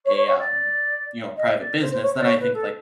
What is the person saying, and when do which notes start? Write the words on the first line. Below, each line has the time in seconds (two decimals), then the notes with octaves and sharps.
a, um, you know, a private business, then I think, like,
0.05 C#5
0.16 C#5
0.27 C#5
0.38 D5
1.36 D#5
1.59 D5
1.81 C5
1.92 C5
2.02 C#5
2.14 C5
2.20 D5
2.24 C#5
2.39 B4
2.54 A4